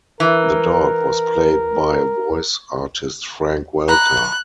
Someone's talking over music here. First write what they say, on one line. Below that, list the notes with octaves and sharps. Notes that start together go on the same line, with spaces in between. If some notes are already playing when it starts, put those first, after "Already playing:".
The dog was played by voice artist Frank Welker.
E3 A#4
A#5 B5 F#6